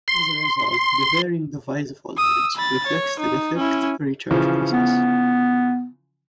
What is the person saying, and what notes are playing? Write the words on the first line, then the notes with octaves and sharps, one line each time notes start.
As a result, the varying device voltage reflects the defect recharge process.
C6
D#6 E6
B5 A6
C#5
D#4
C#4 E4
C#3 E3 F3
B3